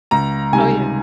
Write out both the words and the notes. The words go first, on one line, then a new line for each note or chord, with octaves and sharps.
Oh, yeah.
C#2 A#5
C3 D#3 G3 G#5